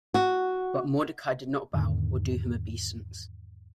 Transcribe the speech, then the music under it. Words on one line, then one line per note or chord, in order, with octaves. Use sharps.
But Mordecai did not bow, or do him obeisance.
F#4
E2 G#2 D3 D#3